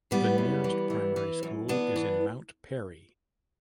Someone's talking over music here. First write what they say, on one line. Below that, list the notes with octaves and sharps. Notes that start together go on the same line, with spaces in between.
The nearest primary school is in Mount Perry.
E3 G3 B3
F#2
E3
E3
E3
F#2
E3 B3 D4
E3